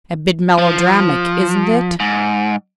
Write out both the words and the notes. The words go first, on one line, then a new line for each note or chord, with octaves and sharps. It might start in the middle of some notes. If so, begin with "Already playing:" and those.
A bit melodramatic, isn't it?
F3
G#2